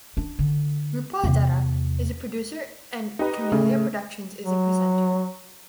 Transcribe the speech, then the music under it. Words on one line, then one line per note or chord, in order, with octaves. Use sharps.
Rupa Dutta is the producer and Camellia Productions is the presenter.
D4
D3
E2 C3
D#4 G4 B4
C#3 A3
F#3